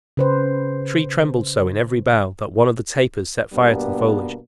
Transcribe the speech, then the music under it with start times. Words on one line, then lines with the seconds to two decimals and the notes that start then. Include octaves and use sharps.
The Tree trembled so in every bough that one of the tapers set fire to the foliage.
0.17 C#3 B4 C5
3.52 G2 B2 G3 A#3 B3 D4